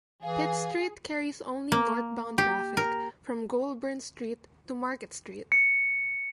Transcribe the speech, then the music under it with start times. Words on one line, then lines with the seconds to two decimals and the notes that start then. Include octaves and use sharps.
Pitt street carries only northbound traffic from Goulbern Street to Market Street.
0.23 E3 G#4 F5
1.72 A#3
2.38 G4
2.77 A#4
5.52 C#7